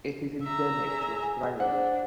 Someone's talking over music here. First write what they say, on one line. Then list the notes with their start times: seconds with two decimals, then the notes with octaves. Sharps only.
It is endemic to Australia.
0.43 E5 A#5
0.84 G#4
1.22 G#5
1.60 D4 C5 F#5